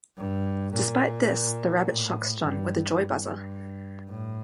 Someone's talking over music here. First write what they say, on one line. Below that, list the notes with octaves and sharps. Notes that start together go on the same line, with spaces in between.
Despite this, the rabbit shocks John with a joy buzzer.
G2
A#2
A2
G2
G2
A2